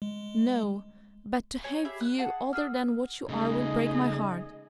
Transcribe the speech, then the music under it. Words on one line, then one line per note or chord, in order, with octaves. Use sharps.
'No! but to have you other than what you are will break my heart.
G#3
C#5 G#5
G4 G#4 E5 B5
F#6
G#4 F#5 A5
G#4 E6 F6
C#3 G#3 A3 D#4 G#4 D#5